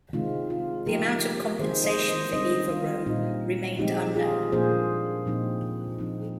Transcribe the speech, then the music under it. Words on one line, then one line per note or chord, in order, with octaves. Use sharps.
The amount of compensation for Eva Rowe remained unknown.
C3 D#3 G#3 C4 D#4 F4
F4
D3 F3 A#3 D#4 G4 A#4
D#3 G#3 C4 D#4 G#4 C5
C5 D#5
C5 D#5
D3 G3 C4 D#4 C5 D#5
F4
A#2 G3 C4 D#4
F3 G#3 C4 D#4 G4
F4 G#4
A#2 F3 A#3 D4 G#4 C5
A#2 F3 C4 D#4
F3 C4 D#4